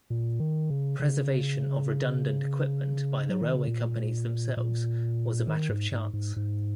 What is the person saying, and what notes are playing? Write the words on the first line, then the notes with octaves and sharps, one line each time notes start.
Preservation of redundant equipment by the railway companies themselves was a matter of chance.
A#2
D#3
C#3
C#3
F#3
D#3
C#3
A#2
A#2
D#3
G#2
G#2
G#2
G#2